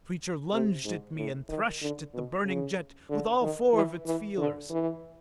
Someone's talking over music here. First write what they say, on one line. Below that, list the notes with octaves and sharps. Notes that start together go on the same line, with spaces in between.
The creature lunged at me and threshed at the burning jet with all four of its feelers.
C3
G#2
A2
D#3
D3
B2
C#3
D3
D#3
E3
E3
D3
E3